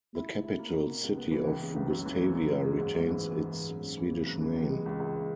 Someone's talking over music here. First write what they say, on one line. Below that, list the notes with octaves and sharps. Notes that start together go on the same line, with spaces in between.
The capital city of Gustavia retains its Swedish name.
E4
E4
E4
A#3
B2
B2
C#2
B3
E3
C#2
C#3
C#2
F#2
E3
F#2
F#2
G#3
F#2
G#2
G#2
E3
B3
B3
G#2
F#2
F#2
E3
C#3
F#2
E3
C#2
G#3
C#2
C#2